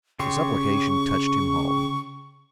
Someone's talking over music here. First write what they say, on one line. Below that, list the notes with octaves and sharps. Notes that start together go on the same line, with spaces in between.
The supplication touched him home.
C#3 G4 C6 C#6